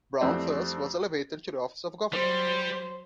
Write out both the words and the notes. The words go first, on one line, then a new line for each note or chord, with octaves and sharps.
Brown, thus, was elevated to the office of governor.
F2 E3 G3 A3 C4 D4
F#3 G3 C5